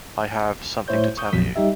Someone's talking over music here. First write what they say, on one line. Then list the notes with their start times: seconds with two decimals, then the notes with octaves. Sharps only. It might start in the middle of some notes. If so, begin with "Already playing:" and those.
I have something to tell you.
0.88 A2 E4 C5 C#5 G6
1.17 C#6 D#6 G6
1.33 A#1 F2 F#3 B6
1.56 G3 D#4 G4 E5